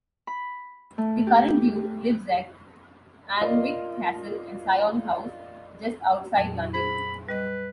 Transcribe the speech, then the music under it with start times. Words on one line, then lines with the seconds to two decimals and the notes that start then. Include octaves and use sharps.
The current duke lives at Alnwick Castle and Syon House, just outside London.
0.27 B5
0.98 A3
1.27 G4
3.41 F4 A#4 D5 D#5
6.36 F2 A#2 F#3
6.74 G#4 C5 B5
7.29 G3 B4 D#5 F#6